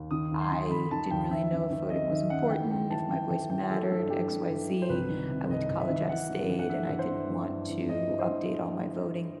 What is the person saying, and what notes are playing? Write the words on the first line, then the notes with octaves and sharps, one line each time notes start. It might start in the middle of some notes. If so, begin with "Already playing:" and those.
I didn't really know if voting was important, if my voice mattered, XYZ. I went to college out of state, and I didn't want to update all my voting
Already playing: D#2
D#3 D#6
D#2
C6
D#3
D#2 B5
D#3 A5
D#2 G5
D#3 E5
F#2
D#3
F#2 D#5
D#3 E5
F#2 F#5
E3 G5
F#2 G5
E3 A5
F#2 G5
E3 G5
F#2 G5
E3 A4
G2 A4
E3 G4
G2
E3
G2
C5
C2 B4
D#3
C3
C2 D#5
C2
E5
D#3
E3 F#5
G2
E3
F#5
G2 E5
E3
C5
G2
E3
G2
E3
G2 D#5
E3
C5
G2